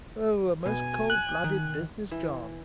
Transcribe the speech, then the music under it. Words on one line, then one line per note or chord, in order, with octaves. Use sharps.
Oh, a most cold-blooded business, John!
B2 G#5
F#6
D#3
E3